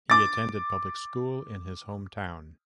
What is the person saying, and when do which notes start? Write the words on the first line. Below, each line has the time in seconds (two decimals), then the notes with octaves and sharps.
He attended public school in his home town.
0.10 D6 A6